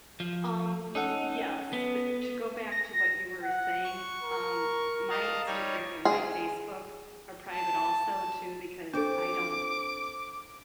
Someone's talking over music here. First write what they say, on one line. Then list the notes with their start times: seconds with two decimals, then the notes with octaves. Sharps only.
Um, yes, but to go back to what you were saying, um, my Instagram and my Facebook are private also too, because I don't
0.20 F3
0.95 C#4 D#4 A4 F#5
1.73 B3
2.72 A#6
3.43 F#5
3.84 C#6
4.23 A#4
5.10 D#5 F5 A5
5.46 G3 D#4 C#5
6.05 G#4
7.53 A5
8.93 C4 D4 G4 A4 D6